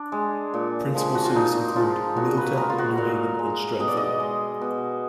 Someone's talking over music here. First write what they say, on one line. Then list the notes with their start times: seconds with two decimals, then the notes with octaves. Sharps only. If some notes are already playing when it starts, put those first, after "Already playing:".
Principal cities include: Middletown, New Haven, and Stratford.
Already playing: D4
0.12 G#3
0.54 A#2
0.95 F3 G#3
1.14 F#4
1.25 F4
1.35 A#2 D#4
1.76 F3 G#3 F4
2.17 A#2 F#4
2.37 B4
2.57 G#3 A#4
2.70 F4
2.78 F#4
2.98 A#2 F5
3.39 G#3
3.79 B2 D#5
3.88 D5
3.97 D#5
4.20 G#3
4.61 B2